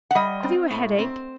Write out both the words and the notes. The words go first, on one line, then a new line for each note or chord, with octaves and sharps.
Have you a headache?
F#5
G3 D#5
C4
A2
C4